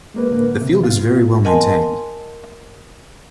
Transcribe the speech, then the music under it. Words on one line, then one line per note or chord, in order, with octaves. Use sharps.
The field is very well maintained.
G#3 A#3 B4
A2 D3 A#3 B4
C3
F4
A#4 D#5 F#5 G#5 A5 C6